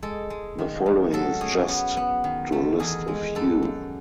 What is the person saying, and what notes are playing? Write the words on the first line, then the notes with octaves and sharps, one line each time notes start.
The following is just to list a few.
G#3 A4
G#3
D#3
D#3
F#3 A4
C#4 G#4
B3
B3
D#3
A3
E2 G#4
G#3
F#2 A4
F#2